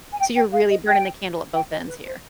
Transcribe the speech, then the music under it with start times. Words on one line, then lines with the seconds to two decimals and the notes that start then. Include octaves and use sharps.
so you're really burning the candle at both ends here.
0.13 G#5
0.19 G5
0.36 G5
0.53 F5
0.70 D#5
0.87 G5
1.54 G5
1.71 D#5
1.88 B4
2.06 C5